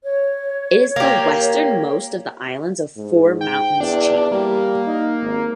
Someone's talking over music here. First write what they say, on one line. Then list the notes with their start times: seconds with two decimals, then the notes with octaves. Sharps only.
It is the westernmost of the Islands of Four Mountains chain.
0.04 C#5
0.96 A#3 G4
2.97 G#2
3.41 G5
3.80 E2 D4
4.32 G3 A#3
4.87 D#4
5.22 G#1